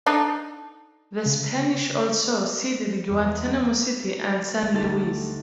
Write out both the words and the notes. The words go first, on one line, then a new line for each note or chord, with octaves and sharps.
The Spanish also ceded Guantanamo City and San Luis.
D4 D#4 A4
C#3
E2
D2 A3 D#4 G4 A6